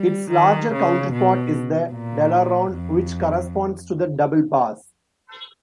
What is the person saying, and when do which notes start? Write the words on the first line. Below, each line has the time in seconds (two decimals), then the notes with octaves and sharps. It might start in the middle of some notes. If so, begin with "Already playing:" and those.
Its larger counterpart is the "dalaruan", which corresponds to the double bass.
Already playing: G3
0.32 D#3
0.72 C#3
1.13 B2
1.92 A#2
2.73 F2